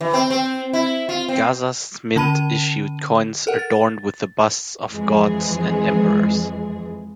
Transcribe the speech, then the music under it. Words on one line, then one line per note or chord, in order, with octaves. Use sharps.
Gaza's mint issued coins adorned with the busts of gods and emperors.
E3
C4
C4
E4
F4
C4
D3 C#4 A5 B5 D#7
A4 A#4 F#5
A6
F2 E3 G#3 G#4